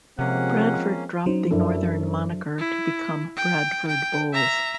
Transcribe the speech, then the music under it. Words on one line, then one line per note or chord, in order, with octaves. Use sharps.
Bradford dropped the Northern moniker to become Bradford Bulls.
C3 F3 G#3 A#3 C4 C#4 F#5
F#3 C#4 D#4 C5
F#2 D4 E4 A4
E4
G5
G5
E5 A#5